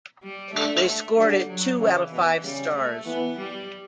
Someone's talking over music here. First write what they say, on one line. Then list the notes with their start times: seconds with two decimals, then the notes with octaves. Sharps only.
They scored it two out of five stars.
0.23 G3
0.54 D3 A3
0.86 A3
1.17 D3 G3
1.48 F#3
1.80 C#3 E3
2.11 B2 E3
2.43 C#3 G3
2.75 A3
3.06 E3 B3
3.38 G3